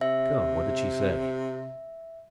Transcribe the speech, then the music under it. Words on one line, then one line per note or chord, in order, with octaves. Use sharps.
"Come, what did she say?"
C3 E5